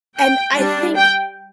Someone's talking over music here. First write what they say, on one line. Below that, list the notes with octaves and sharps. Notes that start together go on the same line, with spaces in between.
and I think
G5
G3 D4
G5